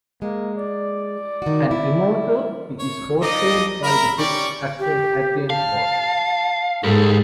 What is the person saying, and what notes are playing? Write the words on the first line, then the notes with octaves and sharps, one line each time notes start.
An Immortal, he is portrayed by the British actor Adrian Paul.
G#3 A#3
D5
D#3 F#4
E4
C#5
F3 D#4 D5 D#5
A#4 E5 B5
C#4 G4 D5 C#6
G4
F5 A5
G#2 G4 A4 A#4